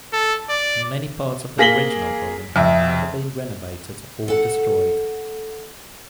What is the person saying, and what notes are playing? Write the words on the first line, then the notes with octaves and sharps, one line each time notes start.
Many parts of the original building have either been renovated or destroyed.
A4
D5
A#3 G#4 A#6 B6 F#7 G7
F2 E5
A4 F#5